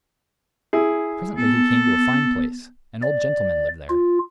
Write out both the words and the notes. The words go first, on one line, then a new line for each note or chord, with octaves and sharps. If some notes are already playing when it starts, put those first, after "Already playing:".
Presently he came to a fine place; an old gentleman lived there.
E4 G#4
B3 A4
D5
F4